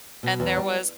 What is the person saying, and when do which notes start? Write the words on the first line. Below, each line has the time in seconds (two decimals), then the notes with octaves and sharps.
and there was
0.23 B2
0.40 E2
0.57 G3